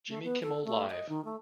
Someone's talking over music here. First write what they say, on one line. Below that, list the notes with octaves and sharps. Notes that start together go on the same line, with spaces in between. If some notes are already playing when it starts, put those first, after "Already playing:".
Jimmy Kimmel Live!
A3
B3
A4
A3
D#5
D#3
A3